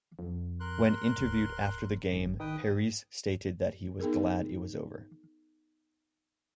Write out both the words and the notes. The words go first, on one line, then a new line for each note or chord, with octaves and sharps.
When interviewed after the game, Parise stated that he was glad it was over.
F2
A#4 C6 F#6
D1
G#1
D#3 B4 G5 D#6
B3 D#4 G#4 A#4